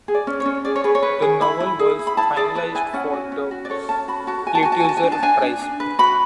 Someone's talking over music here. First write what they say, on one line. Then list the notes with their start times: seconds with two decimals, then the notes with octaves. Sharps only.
The novel was a finalist for the Pulitzer Prize.
0.08 G#4
0.14 D5
0.27 C#4
0.40 C#5
0.46 C#4
0.65 G#4 D5
0.76 C#5
0.84 G#4 B4
0.95 C#5
1.03 B4
1.22 G#4
1.41 E4 B5
1.60 E4
1.79 G#4
1.99 E4
2.07 B5
2.17 E4 A5
2.36 G#4 D5
2.55 B4 A5
2.75 E4 G#5
2.93 C#4 F#5
3.13 F#4
3.32 C#4
3.51 F#4
3.65 D5
3.70 A4 C#5
3.89 C#4 A5
4.08 F#4 B5
4.27 F#4 A5
4.47 F#4 G#5
4.55 A5
4.63 F#4 G#5
4.72 A5
4.80 G#5
4.85 F#4 A5
4.97 G#5
5.03 D4
5.12 A5
5.22 D4 G#5
5.42 D4
5.62 D4
5.80 B4
5.99 F#4 B5